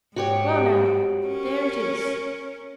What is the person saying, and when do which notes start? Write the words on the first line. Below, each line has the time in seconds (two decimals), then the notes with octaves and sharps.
Well, now, there it is.
0.16 G#2 F#4 G4 C#5
1.27 C#4 A#4